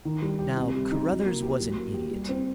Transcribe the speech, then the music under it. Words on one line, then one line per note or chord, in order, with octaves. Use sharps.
Now, Carruthers was an idiot.
D#3
G3
G4
C3
G3
D#4
F#3
A#3
G4
F#3
A#3
G4
G3
C4